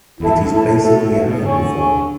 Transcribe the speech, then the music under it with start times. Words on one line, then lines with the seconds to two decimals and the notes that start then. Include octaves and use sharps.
It is basically a herbivore.
0.20 E2 E4 A4 E5 A5
0.30 E2
0.40 F#2
0.50 A2 E4 A4 E5 A5
0.81 F#4 A4 E5
1.11 A2 F#4 A4 E5
1.27 B2
1.42 D3 G#4 C#5 G#5 C#6
1.73 G#4 C#5 G#5 C#6